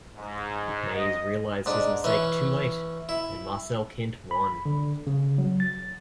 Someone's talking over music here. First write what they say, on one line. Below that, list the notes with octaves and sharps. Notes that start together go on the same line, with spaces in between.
Maes realised his mistake too late and Marcel Kint won.
G#2
D#5
G#2 D4
E3 C#4
E4
B5
D3
C#3
F#3
A6